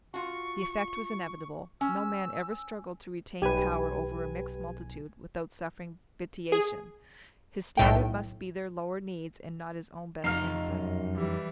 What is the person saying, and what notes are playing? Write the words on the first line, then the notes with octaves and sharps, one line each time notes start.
The effect was inevitable. No man ever struggled to retain power over a mixed multitude without suffering vitiation; his standard must be their lower needs and not his own best insight.
F4 F#4 C#6
C#4 E6
B1 G4 B4 G#5
G#4
B1 A2 G5
F2 D#4 F6 C7
F#2
E3 G3